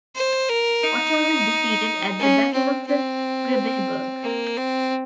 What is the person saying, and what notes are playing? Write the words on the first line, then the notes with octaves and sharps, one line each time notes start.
Otto was defeated at the Battle of the Grebbeberg.
C5
A#4
D#4
C#4
C4
C4
A#3
C4